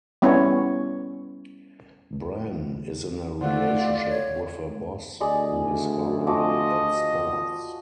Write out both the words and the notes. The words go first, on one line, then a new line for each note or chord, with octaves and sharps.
Bran is in a relationship with her boss, who is horrible at sports.
G3 B3 C#4 E4 C#5
D3 A3 F4 D5 F#5
C#5
D2 G#4 D5 D#5
F3 F#4 D#5 D6